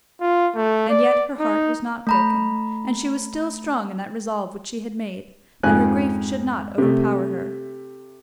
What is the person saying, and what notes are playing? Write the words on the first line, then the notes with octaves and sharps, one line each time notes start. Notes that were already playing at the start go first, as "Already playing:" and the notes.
And yet her heart was not broken, and she was still strong in that resolve which she had made, that her grief should not overpower her.
F4
A3
D5
D#4
A3 A#5 B5
F2 G#2 F3 G#5 F#6
C3 A3